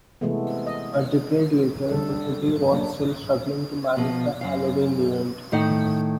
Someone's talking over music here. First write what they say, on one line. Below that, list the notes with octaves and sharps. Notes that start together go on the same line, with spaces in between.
A decade later the city was still struggling to manage the Halloween event.
C3 E3 G#3 A3 B3
D#5
D3 G3 A4
F#3 A#3 D4
B2 F3 B3
F#2 C3 F5
A2 D#3 A3 D#4 A4 F#5